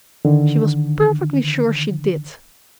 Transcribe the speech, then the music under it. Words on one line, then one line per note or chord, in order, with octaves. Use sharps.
She was perfectly sure she did.
D3 D#3